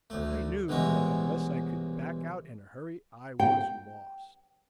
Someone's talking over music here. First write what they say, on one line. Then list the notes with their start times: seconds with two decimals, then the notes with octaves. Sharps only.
I knew that unless I could back out in a hurry, I was lost.
0.10 D2 A3
0.68 C2 B2 E3 G#3 C#5
3.40 G5